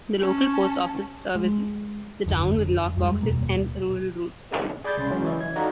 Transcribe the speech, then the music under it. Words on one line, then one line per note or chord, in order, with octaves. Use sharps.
The local post office services the town with lock boxes and rural routes.
C#4 A5
G#3
G1 F2 D3
F2 G3 G#3
D#1 B2 A#3
G#4 D5 G#5 B5 G6 A6
C2 C#3 C6
E3 F#3 G#3 C#4
E3 D#5 E5
G#6
D#4 F#4 A4 D5 F5 A#5